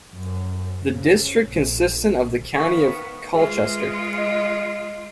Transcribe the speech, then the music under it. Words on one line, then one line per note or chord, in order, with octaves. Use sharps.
The district consisted of the County of Colchester.
F#2
C#3
A#1
D#3 B3 F5 C#6
G#3 F4 G#4 B4 E5
D#5